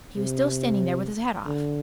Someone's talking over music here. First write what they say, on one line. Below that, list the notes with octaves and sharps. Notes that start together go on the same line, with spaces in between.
He was still standing there with his hat off.
C3
D3